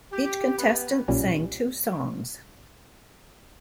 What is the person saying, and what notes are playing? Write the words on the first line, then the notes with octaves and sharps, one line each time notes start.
Each contestant sang two songs.
G4
B3
B1 A#2 G3 C#4